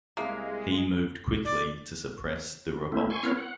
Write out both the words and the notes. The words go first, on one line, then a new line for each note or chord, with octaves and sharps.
He moved quickly to suppress the revolt.
C2 G#3 A#3 E5 F5
D5
A3 A#3 C4 E4
G#5 C6 C#6
B3 C4 E4 A#4 C#5 F5
F#5